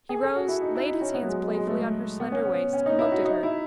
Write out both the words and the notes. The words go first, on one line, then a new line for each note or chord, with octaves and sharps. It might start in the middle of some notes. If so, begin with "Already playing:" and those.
He rose, laid his hands playfully on her slender waist, and looked at her.
G#4
A4
F#4
E4
D#4
E4
D#4
C#4
B3
F#3
G#3
G#3
G#3
A3
B3
C#4
B3
C#4
D#4
E4
F#4
D#4
E4